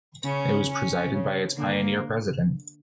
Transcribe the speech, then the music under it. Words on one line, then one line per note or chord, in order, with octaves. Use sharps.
It was presided by its pioneer president.
C#3 C#4
C#4
C#3
D3 A#3